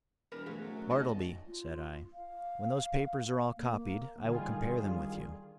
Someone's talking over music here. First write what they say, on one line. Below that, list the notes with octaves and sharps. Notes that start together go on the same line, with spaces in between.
"Bartleby," said I, "when those papers are all copied, I will compare them with you."
E1 G3 A#4 B4
F3 F#3 A3 G#4
F#2
F#3
B1 D5 D#5 A5
F4
F5
A#3
D3 D#3 G3 F4 G#4